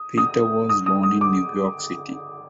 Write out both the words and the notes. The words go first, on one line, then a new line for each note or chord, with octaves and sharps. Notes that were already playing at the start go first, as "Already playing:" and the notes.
Peter was born in New York City.
Already playing: D#6
D#6
D#6
D#6
D#6
D6